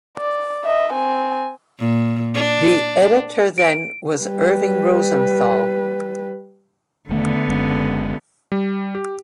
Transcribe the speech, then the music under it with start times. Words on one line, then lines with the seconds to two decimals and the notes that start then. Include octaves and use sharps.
The editor then was Irving Rosenthal.
0.17 D5
0.64 D#5 E5
0.93 C4 G#5
1.80 A#2
2.34 D4
3.58 D7
4.23 G3 B4
7.09 E1 D3 D#3 A3 B3
7.48 F#1 G#3 C#4
8.52 G3
8.95 G4